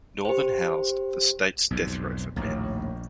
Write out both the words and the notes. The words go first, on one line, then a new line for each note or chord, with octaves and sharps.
Northern housed the state's death row for men.
G4 C5
B1 F2 G#2
A#1 D#2 A2